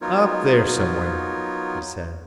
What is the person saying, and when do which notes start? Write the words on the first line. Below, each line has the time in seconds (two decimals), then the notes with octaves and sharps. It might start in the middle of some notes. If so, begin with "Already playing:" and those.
"Up there somewhere," he said.
0.02 F#3 B3 D#4 F4 A#4 C#5